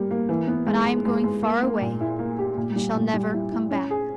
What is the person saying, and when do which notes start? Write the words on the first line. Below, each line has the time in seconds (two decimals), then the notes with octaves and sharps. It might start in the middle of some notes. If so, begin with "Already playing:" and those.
But I am going far away, and shall never come back....
Already playing: G3 A#3
0.11 A#3
0.29 E3
0.47 B3
0.67 G#3
0.86 G#3
1.05 G#3
1.24 G#3
1.42 A#3
1.62 A#3
1.82 A#2
2.01 E4
2.19 A#3
2.39 G4
2.57 A#2
2.76 G3
2.95 A#2
3.14 G3
3.34 E4
3.51 E4
3.71 C#4
3.90 G#4